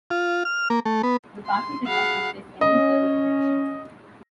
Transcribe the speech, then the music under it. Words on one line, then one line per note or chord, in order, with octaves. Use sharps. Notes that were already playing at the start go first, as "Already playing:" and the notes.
The party did not contest any further elections.
F4
F6
A#3
A3
B3
C6
F#4 G#4 F5 F#5 B5
C#4 D#5